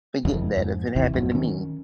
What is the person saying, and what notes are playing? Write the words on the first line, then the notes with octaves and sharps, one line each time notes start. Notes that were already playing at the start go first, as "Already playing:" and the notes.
forget that if it happened to me.
F#1 F2 C#3 E3
F2 G#2
G#1 D#2 C3 E3
G#1 F2 A2 F#3
D#3 C#4